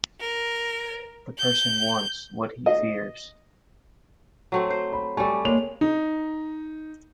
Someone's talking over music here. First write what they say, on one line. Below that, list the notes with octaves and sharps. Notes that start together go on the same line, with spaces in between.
The person wants what he fears.
A#4
G6
D#5
F#3 A3 C4
C5
B5
G3 A3 G#5 C#6
G#3 A#3 C#5 F7
D#4